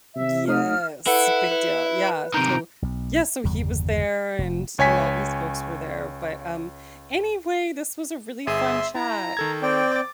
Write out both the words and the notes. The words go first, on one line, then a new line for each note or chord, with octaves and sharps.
Yes, big deal. Yeah, so yeah, so he was there and and all these folks were there, but, um, anyway, this was a really fun chat.
C3 E5
A3 D#4 D#6 F6
E4 A4 B4 F#5
B4
C3 D#3 A#5 G6 D7
B1
G1 E2 C#3 G3
F1
C#2 C#5 G#5 B6
G1 G#4 E5 C6 D#7
E4 A#5
D#3 A4 G#6
C4 D5 G5
D6 A6